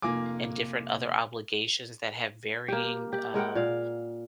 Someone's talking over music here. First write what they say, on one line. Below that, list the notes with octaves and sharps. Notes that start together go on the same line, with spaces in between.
and different other obligations that have varying, um,
F1 A#3 F4 F5 G#5 D6
A#3 G4
G4
G#3 A#4 F#5 G5
A#2 F5